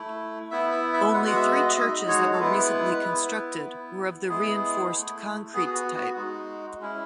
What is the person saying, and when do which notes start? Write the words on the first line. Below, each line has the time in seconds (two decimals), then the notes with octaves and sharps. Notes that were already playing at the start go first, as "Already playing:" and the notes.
Only three churches that were recently constructed were of the reinforced concrete type.
Already playing: A3 E4
0.51 B3 E4 E5
0.72 E5
0.94 E5
1.14 G#3 B3 F#4 F#5
1.27 F#5
1.36 E5
1.56 D#5
1.69 E5
1.76 G#3 D#4 F#4 D#5
2.08 C#5
2.33 A4
2.39 G#3 B3 E4 B4
3.02 B3 E4
3.64 B3 E4
4.28 G#3 B3 E4 G#4
4.91 A3 E4
5.53 B3 F#4 G#4
5.66 G#4
5.74 F#4
5.96 F#4
6.16 G#3 D#4 F#4
6.79 G#3 C#4 E4